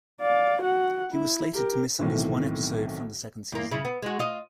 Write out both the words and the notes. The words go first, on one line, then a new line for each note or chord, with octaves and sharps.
He was slated to miss at least one episode from the second season.
D5 F5
F#4 F#5
E4
G4 A#4
B1 A2 C3 D#3 E3
E2 A#3
C#3 E4
B3
G#3 F#4
F4 D#5